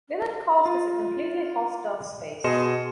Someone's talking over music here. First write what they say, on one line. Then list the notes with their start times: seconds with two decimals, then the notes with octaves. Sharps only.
Willard calls this a completely Hausdorff space.
0.66 F4
2.44 B2 G#4 D#5 C6 C#7 E7